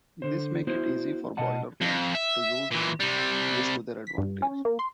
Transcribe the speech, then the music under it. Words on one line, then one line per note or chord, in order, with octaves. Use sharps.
This makes it easy for boiler rooms to use this to their advantage.
D3 C5
B3 E4 F#4 C5
B2 D#5 F#5 A5
F2
E5
A#2 E3
C3 G3
B6
G2
C#4
A#3
C6